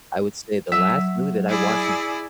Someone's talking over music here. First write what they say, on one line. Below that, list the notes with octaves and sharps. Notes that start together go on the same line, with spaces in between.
I would say the last movie that I watched in th
F#3 E5 E6
E4 G#4 D5